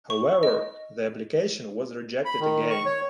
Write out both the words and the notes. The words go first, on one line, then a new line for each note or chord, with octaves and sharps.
However, the application was rejected again.
C#6
D#5
B5
D#3
C#6
C#5